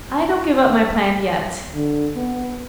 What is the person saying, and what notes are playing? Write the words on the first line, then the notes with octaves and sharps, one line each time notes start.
'I don't give up my plan yet.
D3
B3